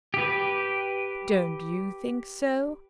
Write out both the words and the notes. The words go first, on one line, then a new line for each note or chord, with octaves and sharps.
'Don't you think so?
G4 B4